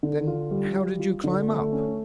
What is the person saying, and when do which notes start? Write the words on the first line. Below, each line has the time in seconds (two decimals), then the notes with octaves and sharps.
'Then how did you climb up?'
0.03 D3
0.27 F4
0.51 G3
0.75 F4
1.00 F4
1.24 D3
1.48 A3
1.72 C#4